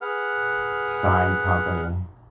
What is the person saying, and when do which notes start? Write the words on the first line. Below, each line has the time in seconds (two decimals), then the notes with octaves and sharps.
Sign Company.
0.02 G#4 B4 F#5 F6